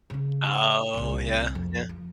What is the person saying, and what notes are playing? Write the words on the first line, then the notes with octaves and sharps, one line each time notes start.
Oh, yeah. Yeah.
C#3 C#4
D1 C2
F2
F3